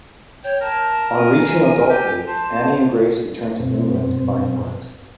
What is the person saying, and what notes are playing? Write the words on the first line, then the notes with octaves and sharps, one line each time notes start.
On reaching adulthood, Annie and Grace returned to England to find work.
C#5 G5
A#4 A5
G#5
G4
C5 A5
G2 B2 C4